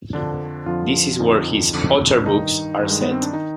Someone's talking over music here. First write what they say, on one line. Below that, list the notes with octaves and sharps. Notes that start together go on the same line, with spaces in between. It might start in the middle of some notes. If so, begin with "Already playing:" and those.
This is where his "otter books" are set.
F2 D3 F3 D4
F2 D3 F3 F4
F2 D3 F3 D#4
F2 D3 F3
D4
G2 D#3 D#4
G2 D#3
G#3
B3
C4
D4
D#3 D#4